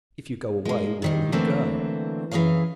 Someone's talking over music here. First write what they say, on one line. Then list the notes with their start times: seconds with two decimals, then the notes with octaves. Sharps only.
If you go away, where will you go?
0.65 G#3 A#3
1.02 A#2 D#3 G3
1.32 D3 E3 F#3 A3 A#3 C4
2.31 F#2 E3 D4 G#4 C#5 F5